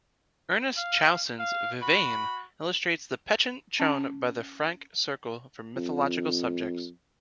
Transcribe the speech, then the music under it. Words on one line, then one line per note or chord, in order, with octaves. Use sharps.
Ernest Chausson's "Vivane" illustrates the penchant shown by the Franck circle for mythological subjects.
F5
F5
F#4 B5
C#4
F2